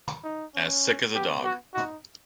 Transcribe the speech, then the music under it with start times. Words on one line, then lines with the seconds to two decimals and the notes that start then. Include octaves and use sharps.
As sick as a dog.
0.24 D#4
0.54 C#4
1.14 B3 G4
1.44 F#4
1.74 D#4 F#4